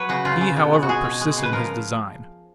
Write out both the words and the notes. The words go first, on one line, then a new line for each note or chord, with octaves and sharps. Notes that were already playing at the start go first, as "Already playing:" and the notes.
He, however, persisted in his design.
Already playing: F#3 B4 C#5
C#3 F#4
C#3 F4
C#3
B2
G#3
F#4
G#3 G#4
B2
G#3
C#3
B4
F3 A#4